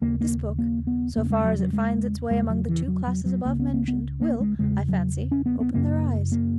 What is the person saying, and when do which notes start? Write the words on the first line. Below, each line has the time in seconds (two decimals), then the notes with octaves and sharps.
This book, so far as it finds its way among the two classes above mentioned, will, I fancy, open their eyes.
0.01 D#2 C#3 A#3
0.21 A#3
0.58 A#3
0.87 B3
1.16 E2 C#3 A#3
1.30 G#3
1.44 F#3
1.59 F#3
1.73 G#3
2.30 E2 C#3 G#3
2.50 F#3
2.69 E3
2.88 F#3
3.07 F#3
3.26 F#3
3.45 C#2 C#3 A#3
3.59 B3
3.74 A#3
3.88 B3
4.21 A#3
4.40 G#3
4.59 E2 C#3 G#3
4.89 F#3
5.32 C#4
5.46 B3
5.60 B3
5.74 F#2 C#3 A#3
6.32 A#3